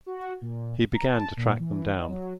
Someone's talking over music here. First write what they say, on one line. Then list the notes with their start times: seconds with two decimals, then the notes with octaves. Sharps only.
He began to track them down.
0.06 F#4
0.41 A#2
0.94 A#5
1.08 A5
1.37 A#2
1.60 E3
1.96 D#4
2.08 F#3